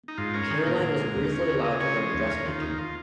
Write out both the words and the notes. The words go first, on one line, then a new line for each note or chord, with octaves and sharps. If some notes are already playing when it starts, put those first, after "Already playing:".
Caroline was briefly allowed to learn dress-making.
D#4
G#2 F4
C#4 A#4
D#3 G#4
A#2 A#4
A#2
G#3
D#2
C#4
C#3
C#3 D#5
C#4 C#5
F3 D#5
D#2 C#5
C#4 A#4
D#3 F4
D#2 D#4
F4